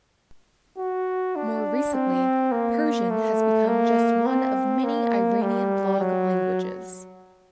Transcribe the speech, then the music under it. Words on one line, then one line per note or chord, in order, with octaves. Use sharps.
More recently, Persian has become just one of many Iranian blog languages.
F#4
D4
C4
A#3
A3
A#3
C4
A#3
G3
F#3